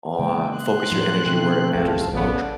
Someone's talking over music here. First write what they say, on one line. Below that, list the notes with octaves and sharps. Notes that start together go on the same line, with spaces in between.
on focus your energy where it matters the moch
C#3 G#3 A#3 G5
C6 F#6
E2 A2 F3
B2 D3 A3 C4
D1 C2 F#2 F4 A5
A1 C#3 B3 A4 D5